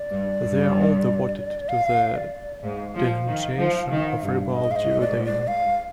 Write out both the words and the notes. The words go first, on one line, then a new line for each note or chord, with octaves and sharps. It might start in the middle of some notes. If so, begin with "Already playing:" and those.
They are all devoted to the denunciation of liberal Judaism.
Already playing: D5
G2
G2
F5
D5
G#2 F5
F3
D#3
F3
D#3
G2
G#2 D#5
F5
D#5
D5
D5
F5